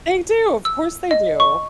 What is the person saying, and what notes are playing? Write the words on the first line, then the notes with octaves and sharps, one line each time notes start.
They do, of course, they do.
E6
D#5
C#6